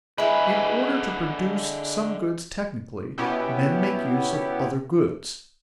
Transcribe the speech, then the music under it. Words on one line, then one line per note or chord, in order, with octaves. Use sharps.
In order to produce some goods technically, men make use of other goods.
D3 G#3 E4 B4
B2 B3 C#4 E4 G4